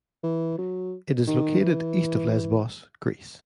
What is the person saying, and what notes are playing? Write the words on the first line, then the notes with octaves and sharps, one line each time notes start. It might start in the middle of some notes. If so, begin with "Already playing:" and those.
It is located east of Lesbos, Greece.
E3
F#3
D#3
E3